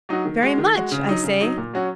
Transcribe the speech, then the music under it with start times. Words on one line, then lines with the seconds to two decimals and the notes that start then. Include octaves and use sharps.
"Very much," I say.
0.09 F#3 D#4 F#4
0.25 D#3
0.43 G#3 F#4
0.58 D#3
0.75 G#3 F#4
0.91 C#3
1.07 F#3 D#4
1.23 C#3
1.41 F#3 D#4
1.57 A#2
1.73 F#3 C#4 F#4